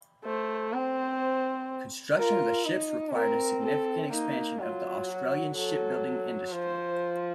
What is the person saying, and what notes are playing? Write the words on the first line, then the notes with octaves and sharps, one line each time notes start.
Construction of the ships required a significant expansion of the Australian shipbuilding industry.
A3 C5
C4 C5
F4 A#4
D#4
C4 A#4
A4
A#3 D#4
F#3 F4
F#4
F#3 A4
F3 C5